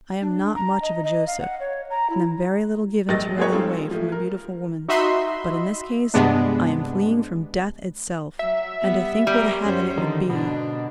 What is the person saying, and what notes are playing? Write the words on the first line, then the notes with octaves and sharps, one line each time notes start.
I am not much of a Joseph, and am very little given to running away from a beautiful woman, but in this case I am fleeing from death itself. And to think what a heaven it would be.
D4
A#5
D#5
D#5
F5
F#5
C#5
A#5
E4
A#1 G3 D#5 A6 A#6
G#3 A#3 G4 G#4 B4 C#5
G3 G#3 C4 D#4 F4 A4
F3 A3
A#4
D#4 F#4 D#5 E5 B5 C6
G2 C3 G#3 B3 D4
F#3 E5
G3 B3
G3 B3 A#4
F#2 C#4 C5
D3 D#3
G#2 B2 D3 D4